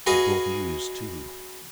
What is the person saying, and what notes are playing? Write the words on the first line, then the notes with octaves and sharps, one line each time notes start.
They brought news, too.
F#4 G#4 B4 D#5 F5 G#5